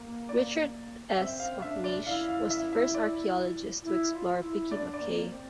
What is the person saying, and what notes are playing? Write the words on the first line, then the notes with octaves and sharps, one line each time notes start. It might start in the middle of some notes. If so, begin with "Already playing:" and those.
Richard S. MacNeish was the first archaeologist to explore Piki Mach'ay.
Already playing: A#3
D5
C4 E5
F5
D4 E5
D5
E4 F5
F5
E5
E5
D5
E4
F4
E4
D4 D5
D5
A#3
C4